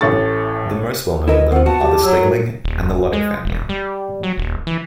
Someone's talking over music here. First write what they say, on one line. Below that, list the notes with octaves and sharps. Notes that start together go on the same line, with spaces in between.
The most well known of them are the Stegling and the Ludick family.
A1 A2 A4 C#6 A6
E4 A#4 B4 D#5
C4 F4 F#5
B3 F#4 F#5 A5
G2 G4
F#3 E6
F#4 A#4
D#1
G#3
E1
G3
F#3
D#1
E3